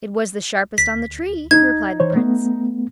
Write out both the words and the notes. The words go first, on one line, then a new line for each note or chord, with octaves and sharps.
"It was the sharpest on the tree," replied the Prince.
D2 B6
D#4 G#6
E3 C5 C#5
A3 B3